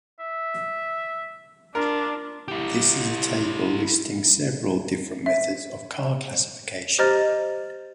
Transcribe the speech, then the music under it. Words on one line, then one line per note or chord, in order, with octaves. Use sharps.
This is a table listing several different methods of car classification.
E5
D4 F4 A#4
E4 G4
E5
G4 C5 D#5 A#5 F6 A6